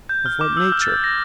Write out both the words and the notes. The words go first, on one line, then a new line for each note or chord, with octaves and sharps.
Of what nature?
G6
F6
D6
E6
F6
A6
G6
A#6